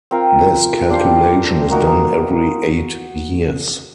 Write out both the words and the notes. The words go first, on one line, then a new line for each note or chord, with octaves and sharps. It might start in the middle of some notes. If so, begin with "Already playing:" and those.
This calculation is done every eight years.
C4 F4 A#4
D4 G4 C5 F5
A#3 D#4 F#4 A#4